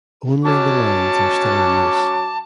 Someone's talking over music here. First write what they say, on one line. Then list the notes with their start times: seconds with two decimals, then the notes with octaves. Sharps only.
Only the lines are still in use.
0.45 F#3 C#4 A5 D6